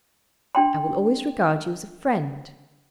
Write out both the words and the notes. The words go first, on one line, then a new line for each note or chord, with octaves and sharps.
"I will always regard you as a friend."
D4 G5 C6